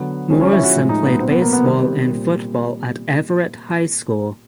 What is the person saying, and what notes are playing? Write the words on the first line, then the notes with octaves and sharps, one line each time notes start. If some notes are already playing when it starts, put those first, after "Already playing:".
Morrison played baseball and football at Everett High School.
Already playing: D3 F#3 B3
D3 F3 G#3 C#4
C#4
E4
F#4
A2 F3 G#3
D#4
B3
B2 F#3 C4
B3
A#3
B3
C3 D#3 G3 C4
A#2 G3